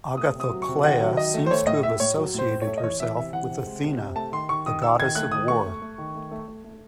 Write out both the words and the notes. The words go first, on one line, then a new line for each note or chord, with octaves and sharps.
Agathokleia seems to have associated herself with Athena, the goddess of war.
A3 D#6
C3 D#6
F#3
C#6
C3
D#3 F#5
F#3
D#3 D#5
A3
C5
A3 C#5
A2 D#5
A2 E5
A2 C#5
F#3
A2 C5
A2
C#5
A3
D#5
E3 C#5
E3 E5
C3 E5
E3 F#5
C3
G#3
C3
C3
A3 A5
D#3 C6
D#3 C#6
D#3 D#6
D#3 E6
D#3 G#6
A3 F#6
D#3 D#6
A3 C#6
A3
A3
D#3
A3
A3
A3
A3